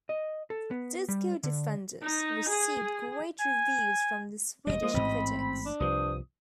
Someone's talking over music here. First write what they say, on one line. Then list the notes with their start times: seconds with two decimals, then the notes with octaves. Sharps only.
"Disco Defenders" received great reviews from the Swedish critics.
0.09 D#5
0.50 A4
0.71 B3
1.08 G3
1.43 D3
2.02 D#4
2.48 G#4
3.40 G#5
4.67 E1 D#2 G3 D#5
4.82 F3 G#3 A#3 D#6
4.94 A1 G#2 C4 B5
5.66 D4
5.80 C2 G2 F3 C5 D#6